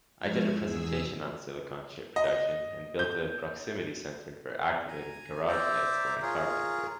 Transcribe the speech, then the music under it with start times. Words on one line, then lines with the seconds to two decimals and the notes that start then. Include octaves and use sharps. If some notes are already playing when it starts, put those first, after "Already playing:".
I did a presentation on silicon chip production and built a proximity sensor for activating garage lights when a car entered.
0.18 F3 G#3 E4 C#5 F6 G#6
0.54 E2 G#4 E6
2.16 D#5
2.99 G6
4.88 G#5 A#5
5.48 C5 D5 E5 A#5
6.22 F4 G#4 A#4 C#5